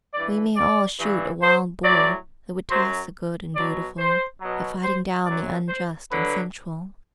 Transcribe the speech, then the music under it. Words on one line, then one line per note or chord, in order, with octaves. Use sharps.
We may all shoot a wild bull that would toss the good and beautiful, by fighting down the unjust and sensual.
G2 E3 D5
D5
G2 E3
C5
A2 F#3 D5
F#2 F#3 C5
B2 F#3 D5
C5
B2 F#3
C5
F#2 F#3 D5
C5
G2 D3 F#3 B4